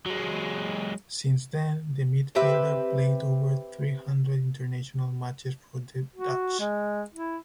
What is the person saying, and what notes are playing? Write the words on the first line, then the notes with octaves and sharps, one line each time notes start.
Since then the midfielder played over three hundred international matches for the Dutch.
F#3 G#3
C4 G4 B4 E5
F#4
G#3
E4